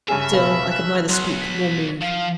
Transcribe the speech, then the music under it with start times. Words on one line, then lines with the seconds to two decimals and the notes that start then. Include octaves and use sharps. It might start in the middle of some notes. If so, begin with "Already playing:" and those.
Still I could neither speak nor move.
0.08 G2 C#3 G#4 E5 G#5
0.33 B2 B4 F5 B5
0.70 F#6
1.09 B1 F#3 C6 F#6
1.41 B6
2.01 F3 F5